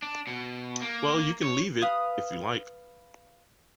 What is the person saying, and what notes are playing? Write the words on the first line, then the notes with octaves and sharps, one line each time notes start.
Well, you can leave it, if you like.
D4
B2
A#3
C#5
B4 F5 D#6